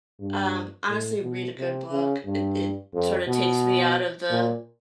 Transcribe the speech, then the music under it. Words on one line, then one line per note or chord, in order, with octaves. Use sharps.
um, honestly, read a good book. It it, sort of, takes me out of the
G2
A2
B2
C3
C#3
G2
F2
B2
A#2